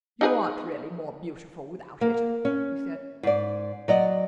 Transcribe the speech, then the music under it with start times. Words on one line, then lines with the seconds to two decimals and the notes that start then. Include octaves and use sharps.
"You aren't really more beautiful without it," he said.
0.21 D#4 G#4 B4
2.01 A#3
2.45 C#4
3.23 G#2 D5
3.88 F#3 D5 D#5